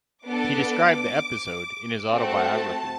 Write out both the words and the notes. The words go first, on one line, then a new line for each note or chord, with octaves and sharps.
He described the episode in his autobiography.
B3 D4 A4 D6
A3 C4 F#4 A4 A5